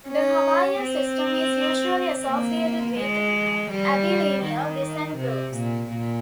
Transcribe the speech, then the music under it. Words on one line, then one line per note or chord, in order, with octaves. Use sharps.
The Hawaiian system is usually associated with ambilineal descent groups.
C#4
C4
A#3
G#3
G3
D#3
C3
A#2
A#2